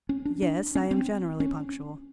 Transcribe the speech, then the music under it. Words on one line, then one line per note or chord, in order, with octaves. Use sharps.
"Yes, I am generally punctual."
C#4
D4
D4
C#4
C4
C#4